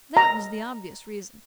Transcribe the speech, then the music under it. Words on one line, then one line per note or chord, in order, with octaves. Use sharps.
That was the obvious reason.
A#5